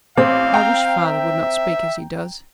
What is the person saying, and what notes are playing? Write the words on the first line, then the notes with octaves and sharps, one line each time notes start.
'I wish father would not speak as he does.
A1 C4 F5
G5 A#5
E5